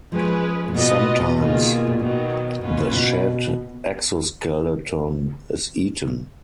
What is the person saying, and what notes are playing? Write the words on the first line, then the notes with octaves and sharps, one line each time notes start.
Sometimes the shed exoskeleton is eaten.
F3 G#3 C#4 G#4 B4
A#2
B2 B3 F4 B4 D#5
B2 D#3 A#3 F4 G#4
A#2
B2 D#3 F#3 B3
B2 A#3 C#4 F4 B4
C#3
B2